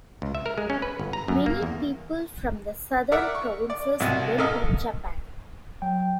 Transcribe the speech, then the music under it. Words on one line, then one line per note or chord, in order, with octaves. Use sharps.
Many people from the southern provinces went to Japan.
C#2
E5
A#4
G#3
C#4
B4
G1
A#5
F#2
A#3
E2
A#4 D5 E5 F#5
C#6
D5
C2 B2
A1 A4 A#4 D#5 E5 F6
F#3 G5